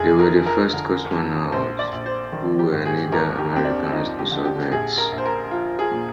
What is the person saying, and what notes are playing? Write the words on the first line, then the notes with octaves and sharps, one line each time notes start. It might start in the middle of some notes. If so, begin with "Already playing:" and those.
They were the first cosmonauts who were neither Americans nor Soviets.
Already playing: F1 G#4
A#4
F3
A#4
D3
F2
A#1 C5
D5
A#1
C5
D#3
G4
G#2
G#4
D#2 A#4
G4
D#2 C4
D4
F3 D#4
G4
D3
G4
A#1 G#4
A#4
A#1
C5
A#4
F3 F4
G#4
A#2